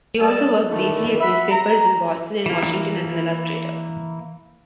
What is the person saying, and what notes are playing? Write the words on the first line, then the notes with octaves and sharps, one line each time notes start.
He also worked briefly at newspapers in Boston and Washington as an illustrator.
G3 A4 D#5 A5
D#3 E3 A3 A#3 D4 E4
E5 F#5 B5
A#5
E3 A#3